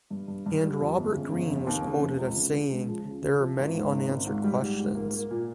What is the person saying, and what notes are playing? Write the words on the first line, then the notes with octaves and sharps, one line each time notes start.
And Robert Green was quoted as saying There are many unanswered questions.
G2
G2
G2
G3
F2
G1
C#3
G1
F1
D#2
C#3
F1
C#2
C#3
C#3
G#3
F3
C#3
C#3
F3
G#1
G#2
G#1
G#1
G#2
G3
G#2
G#2
A#3
A#3
A#2